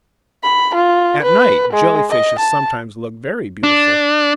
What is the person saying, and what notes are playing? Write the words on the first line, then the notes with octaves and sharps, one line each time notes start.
At night Jelly-fishes sometimes look very beautiful.
B5
F4
B4
G#3
D#5
A5
D4